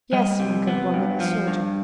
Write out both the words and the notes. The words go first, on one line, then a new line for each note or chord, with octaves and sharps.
"Yes, my good woman, a soldier."
G3 D#5
C3
B3
G2
F3
G2